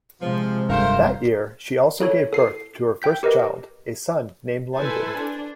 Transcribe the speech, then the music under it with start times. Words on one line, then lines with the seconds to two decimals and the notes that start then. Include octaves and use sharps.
That year, she also gave birth to her first child, a son named London.
0.22 C3 F3 G#3 C5
0.70 F1 G2 A3 A#4 C5 F5
2.00 E4 A4 C#5
2.33 A4 C7
3.02 G5 G6 B6
3.23 G4 A#4 B4 D#5
4.77 E4 A4 B4 C5 G#5 A5
5.15 D4